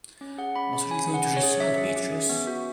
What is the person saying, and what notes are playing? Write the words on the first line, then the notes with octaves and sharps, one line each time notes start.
What are you going to recite, Beatrice?
C#4
G#4 F#5
C#4 B5
G#4 B5
C#4 G#5
G#4
F#5
C#4
C#5
G#4
C#4 E5
G#4
C#4
G#4
B3
F#4